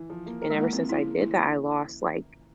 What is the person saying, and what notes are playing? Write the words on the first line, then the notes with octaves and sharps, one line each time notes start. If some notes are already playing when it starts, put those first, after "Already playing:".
And ever since I did that, I lost, like,
Already playing: E3
F3
A#3
A#4
G#3
A#3 E4
F3 C4
A#3 E4
C#3
E3 E4